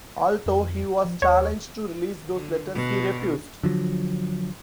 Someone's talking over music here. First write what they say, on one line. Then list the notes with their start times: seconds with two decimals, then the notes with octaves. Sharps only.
Although he was challenged to release those letters he refused.
0.46 F2
1.04 F3
1.22 D#2 C#5
2.33 D3
2.75 B2
3.63 D3 F3 F#3